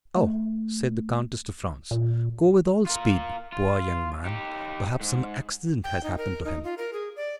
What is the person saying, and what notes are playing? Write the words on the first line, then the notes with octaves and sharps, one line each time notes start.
"Oh," said the countess to Franz, "go with all speed--poor young man! Perhaps some accident has happened to him."
A3
A#2
F4 A#4
F4
D#4 G4
G#2
G5
D#4
A#4
D#4
F4
A#4
G#4
D5